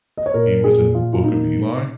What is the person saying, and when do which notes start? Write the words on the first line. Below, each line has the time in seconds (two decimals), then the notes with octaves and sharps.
he was in The Book of Eli.
0.17 D#5
0.26 C#5
0.34 A#2 A#4
0.64 G#4
0.79 A#2
0.95 F4
1.13 F4
1.24 A#3 D#4